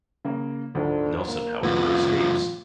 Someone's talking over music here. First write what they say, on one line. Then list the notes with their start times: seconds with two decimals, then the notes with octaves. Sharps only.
Nelson however escapes.
0.25 C#3 A#3
0.75 D2 G#2 D3 F3
1.26 A#3
1.63 F2 A2 B3 F4